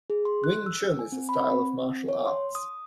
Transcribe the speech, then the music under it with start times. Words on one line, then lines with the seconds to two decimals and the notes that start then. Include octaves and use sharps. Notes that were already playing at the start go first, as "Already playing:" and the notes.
Wing Chun is a style of martial arts.
0.10 G#4
0.25 C6
0.44 F#6
0.66 E6
0.99 G#5
1.12 C4
1.29 B5
1.51 C4
2.08 C#5
2.26 C6
2.55 D#6